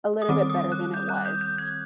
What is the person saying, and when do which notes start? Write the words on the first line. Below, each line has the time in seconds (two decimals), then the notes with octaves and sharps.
a little bit better than it was.
0.22 D#6
0.29 D#3 G3 C4 D6
0.50 D#6
0.72 F#6
0.94 G6
1.09 F#6
1.26 G6
1.41 G6
1.58 G#6